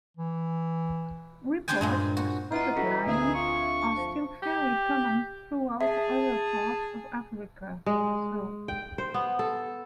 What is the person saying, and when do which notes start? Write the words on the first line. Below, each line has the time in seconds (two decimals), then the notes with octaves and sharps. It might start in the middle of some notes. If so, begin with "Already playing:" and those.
Reports of spotted lions are still fairly common throughout other parts of Africa, though.
0.17 E3
1.68 D4 G4 C5 G5 G#5
1.81 G2 A#2 G#3
2.17 F#4
2.52 B3 E4 F4 D#5 A#5
2.76 E3 C#4 F#4 A4 B5
3.06 D2 C4 G#4 E5
3.35 F4 C#6
3.82 A5
3.97 F3
4.43 G4
5.81 G#4 E5 A5
7.86 G#3
8.68 G5
8.98 C5
9.14 B3
9.39 A4